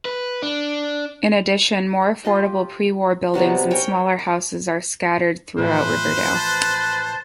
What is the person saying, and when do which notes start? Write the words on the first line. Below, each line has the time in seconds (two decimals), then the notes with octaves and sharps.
In addition, more affordable pre-war buildings and smaller houses are scattered throughout Riverdale.
0.05 B4
0.42 D4
2.25 F4 G4 D#5
3.34 C3 F#3 G3 B3
3.70 A#4 C#5 G5 G#5
4.19 D6
5.58 A2 E3 F3 B4 C5
6.35 A5